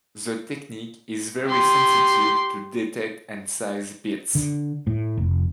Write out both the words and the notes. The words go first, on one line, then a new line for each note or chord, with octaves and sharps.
The technique is very sensitive to detect and size pits.
G4 C6
D3
A2
F1